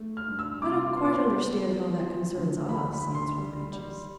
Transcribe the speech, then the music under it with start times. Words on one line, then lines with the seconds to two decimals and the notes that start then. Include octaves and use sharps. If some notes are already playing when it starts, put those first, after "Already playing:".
"I don't quite understand how that concerns us," answered the Beeches.
Already playing: A3
0.17 F6
0.28 G2
0.39 E6
0.62 C3 D6
0.97 B3 C6
1.05 D6
1.13 C6
1.32 B3
1.66 F3
2.01 F3
2.35 D2
2.69 D3 B5
2.93 B5
3.04 D2
3.15 C6
3.38 G3
3.73 G3